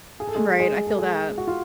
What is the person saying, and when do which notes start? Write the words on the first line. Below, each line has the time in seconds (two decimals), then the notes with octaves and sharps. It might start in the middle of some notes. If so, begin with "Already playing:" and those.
Right, I feel that.
0.20 G#4
0.28 A4
0.35 G#3 G#4
0.60 G#3 G#4
0.87 A4
0.98 G#3 G#4
1.38 F#4
1.47 F4